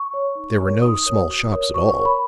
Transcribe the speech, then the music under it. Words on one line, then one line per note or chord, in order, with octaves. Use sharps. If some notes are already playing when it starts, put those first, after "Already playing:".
There were no small shops at all.
Already playing: C#6
C#5
D#4
A#4 C#5
D#4 D#6
A#4 C#5
F#4
A#4 C#5
F#4 C#6
C#6
A#4 C#5
B5